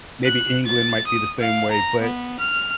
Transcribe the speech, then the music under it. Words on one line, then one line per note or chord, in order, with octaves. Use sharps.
maybe England might be the same way. But,
F#6
A6
D#6
F5
A#5
B3
F6